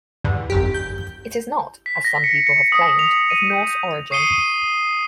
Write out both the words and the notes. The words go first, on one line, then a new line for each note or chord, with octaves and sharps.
It is not, as some people have claimed, of Norse origin.
E2 G2 D3
G#1 F#2 G4
G6
B6
A#6
C#7
C#7
D#6
F7
D#7
G6
C#6 D#6 C7 C#7 D#7 G7